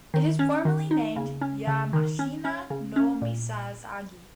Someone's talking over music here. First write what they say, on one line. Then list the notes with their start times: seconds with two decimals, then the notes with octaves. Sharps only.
It is formally named "Yamashina no misasagi".
0.14 D#3
0.39 C#4
0.65 D#3
0.91 D#4
1.16 C#3
1.41 C#4
1.67 C#3
1.93 D#3
2.19 C#4
2.45 C#4
2.70 C#3
2.96 C#4
3.22 A#2